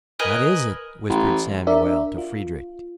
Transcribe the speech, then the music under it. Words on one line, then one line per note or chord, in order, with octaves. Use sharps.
"What is it?" whispered Samuel to Friedrich.
A#4 B4 D#5 G#5
A1
D4 A#4 D5 E5
F4